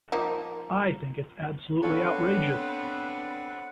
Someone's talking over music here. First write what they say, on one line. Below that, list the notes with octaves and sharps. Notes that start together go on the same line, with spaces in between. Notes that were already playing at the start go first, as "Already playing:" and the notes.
I think it's absolutely outrageous.
F3 A#3 D#4
B3 C4 D4 A4 B4 C#5 F5 F#5